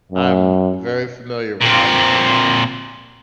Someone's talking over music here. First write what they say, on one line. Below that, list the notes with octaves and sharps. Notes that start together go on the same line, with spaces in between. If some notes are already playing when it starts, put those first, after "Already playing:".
I'm very familiar with how you feel.
F#2
A#2 C4